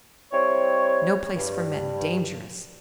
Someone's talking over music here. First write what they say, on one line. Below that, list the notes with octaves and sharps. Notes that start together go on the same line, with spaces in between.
No place for men--dangerous.
G3 C4 E4 C#5
G2